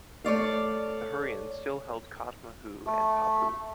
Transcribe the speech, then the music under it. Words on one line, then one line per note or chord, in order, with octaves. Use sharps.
The Hurrians still held Katmuhu and Paphu.
A3 C#5 D5 F5
A3